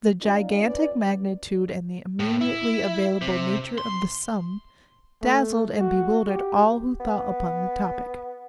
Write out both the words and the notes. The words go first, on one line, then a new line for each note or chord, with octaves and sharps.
The gigantic magnitude and the immediately available nature of the sum, dazzled and bewildered all who thought upon the topic.
C#4 D#4 F4 D5
C#4 B4 D5
A2
E4
C3
C6
A3
F#4
G4
B3